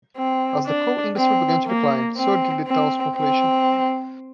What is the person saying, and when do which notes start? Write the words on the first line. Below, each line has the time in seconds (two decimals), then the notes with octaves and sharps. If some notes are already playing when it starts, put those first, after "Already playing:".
As the coal industry began to decline, so did the town's population.
0.17 C4
0.66 D4
1.17 C4
1.66 A#3
2.16 C4
2.67 C4
3.17 C4